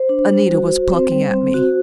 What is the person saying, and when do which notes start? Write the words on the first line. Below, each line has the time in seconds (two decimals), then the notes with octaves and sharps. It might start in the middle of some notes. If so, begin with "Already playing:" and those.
Anita was plucking at me.
Already playing: C5
0.09 D4
0.31 G3
0.51 F#4
0.72 F#4
0.92 C4 C5
1.12 G3
1.34 C4
1.54 F#4